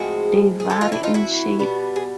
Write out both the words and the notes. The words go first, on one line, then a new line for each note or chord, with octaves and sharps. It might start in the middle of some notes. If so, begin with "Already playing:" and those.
They vary in shape.
Already playing: A2 F3 G#3 C4 F#4 G#4
G#4
E3 A3 C4 G4 A4
D#4 F4
D4 E4
D#4 F4
E4 F#4
B2 G3 B3
G#4